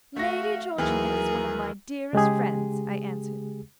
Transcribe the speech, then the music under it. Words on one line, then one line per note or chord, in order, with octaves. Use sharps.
'Lady Georgina is one of my dearest friends,' I answered.
A3 F#4 F5 A#6
D#2 D#3 E3 F#3 G#4 A#4
C#3 G#3 G4 G#4